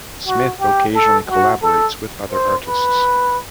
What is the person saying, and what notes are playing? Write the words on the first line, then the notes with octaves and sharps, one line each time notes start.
Smith occasionally collaborates with other artists.
F#4
G4
A4
F#4
A4
C5
B4